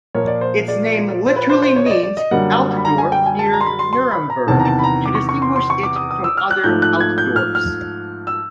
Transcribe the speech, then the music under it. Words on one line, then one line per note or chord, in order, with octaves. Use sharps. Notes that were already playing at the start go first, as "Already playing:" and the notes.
Its name literally means "Altdorf near Nuremberg", to distinguish it from other Altdorfs.
A#2 F3 A#3 C#5
D5
C5
D5
C5
B4
C5
C5
C#5
D#5
D5
D5
D#5
F#2 D3 G3 A#3 F#5
B5
A#5
G#5
G5
G#5
A5
A#5
C6
B5
C6
C6
B5
A#5
E2 C3 D#3 A5
A#5
A5
B5
A#5
D6
C#6
C#6
C6
C6
C#6
D6
D#6
D#6
E6
F6
F#6
G#2 F3 A3 G6
F#6
G#6
G6
F6
F6
E6